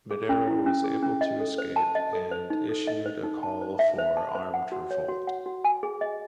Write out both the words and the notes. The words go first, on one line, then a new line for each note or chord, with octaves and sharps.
Madero was able to escape and issued a call for armed revolt.
G#4
C#4
E4
C#4
G#4
C#4
D#5
A4
C5
A5
D#5
A4
C5
D#4
A4
D#5
C5
D#4
A5
C5
E5
C5
A5
C5
F#5
F#4
C#5
F#4
F#5
F#4
G#5
G#4
D#5